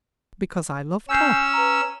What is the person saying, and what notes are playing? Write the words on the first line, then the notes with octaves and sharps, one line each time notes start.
"Because I loved her."
C#4 G#5 E6 G6 C7
B4 A#5